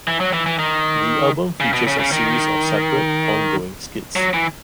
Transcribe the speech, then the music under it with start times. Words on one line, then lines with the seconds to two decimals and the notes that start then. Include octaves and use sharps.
The album features a series of separate, ongoing skits.
0.08 E3
0.20 F#3
0.33 E3
0.46 E3
0.59 D#3
1.60 C#3
1.73 B2
1.87 C#3
1.99 C#3
2.12 D#3
4.16 F#3
4.34 E3